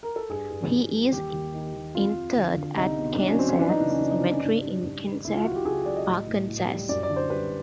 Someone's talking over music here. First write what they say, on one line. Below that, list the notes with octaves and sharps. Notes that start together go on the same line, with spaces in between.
He is interred at Kensett Cemetery in Kensett, Arkansas.
A#4
A4
G2 G#4
G2
E3
G3
D#2 G4
D#2
D#3
D#2
F2 F4
F2
D3
D3
C2 D#4
B2
F#3 D4
C#4
F#3 C4
C#4
E3 D4
D#4
C#3 D4
C#4
C#3 D4
D#4
C#3 D4
C#4
G#2 D4
G3
G#2
D#3
C#2 E4
F4
F#3 F#4
G4
C#2 G#4
F#3 D5
D#5
A2
A2
A2
G3
F#2 D5
D5
D3
C5
G3 B4